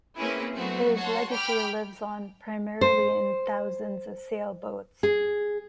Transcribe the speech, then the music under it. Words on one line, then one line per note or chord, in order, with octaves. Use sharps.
His legacy lives on primarily in thousands of sailboats.
A#3 C4 C#4 E4 G#4 B4
F#3 A3 B3 C4 F#4
F#4 C#5 A5 C6
G5 B5 D6 F6
C5
G#4